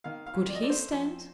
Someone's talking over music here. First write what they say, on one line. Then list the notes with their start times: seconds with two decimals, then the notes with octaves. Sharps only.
Could he stand?
0.04 D#3 F5
0.26 F5
0.34 F2
0.49 D5
0.55 D#5
0.62 A3 D5
0.70 C5
0.91 F2